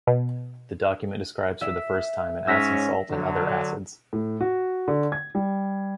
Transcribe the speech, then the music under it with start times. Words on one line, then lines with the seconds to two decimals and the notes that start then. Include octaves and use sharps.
The document describes, for the first time, an acid salt and other acids.
0.07 B2
1.61 E5
2.47 G#2 C#4 E6 A#6 B6
3.09 D3 F#3
4.13 A2
4.41 F#4
4.88 D3
5.12 G#6
5.35 G3